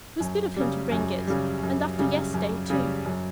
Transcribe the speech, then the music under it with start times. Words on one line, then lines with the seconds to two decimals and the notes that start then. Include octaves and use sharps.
It was good of him to bring it; and after yesterday too!
0.20 F#2
0.56 C#3 G3
0.92 F#2
1.27 C#3 G3
1.63 F#2
1.99 C#3 G3
2.34 F#2
2.70 C#3 G3
3.06 F#2